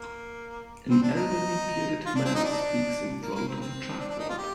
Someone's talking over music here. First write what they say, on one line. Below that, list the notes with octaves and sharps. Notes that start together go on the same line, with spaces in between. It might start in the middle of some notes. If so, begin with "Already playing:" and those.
An elderly bearded man speaks in front of a chalkboard.
Already playing: A#3
C4
D4
D#4
F4
D4
C4
D#4
D4
A#3
A#3
C4
C4
D4
D4
D#4
F4
G4